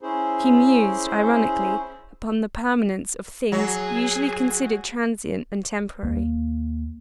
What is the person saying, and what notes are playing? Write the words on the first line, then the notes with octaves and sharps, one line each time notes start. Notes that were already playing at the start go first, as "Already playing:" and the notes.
She mused, ironically, upon the permanence of things usually considered transient and temporary.
C#4 E4 G#4 C5
F#3 G#4
D#2 A#3